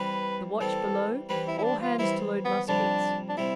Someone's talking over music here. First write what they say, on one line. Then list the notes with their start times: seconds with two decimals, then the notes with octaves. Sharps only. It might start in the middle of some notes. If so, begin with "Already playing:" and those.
The watch below, all hands to load muskets.
Already playing: E3 G3 C4 B4
0.60 E3 G3 C4 A4
1.29 E3 G3 C4 B4
1.47 E4
1.58 E4
1.63 D4
1.82 F4
1.99 E3 G3 C4 E4
2.45 B3
2.68 F2 C3 G3 D4
3.29 D4
3.37 C3 G3 E4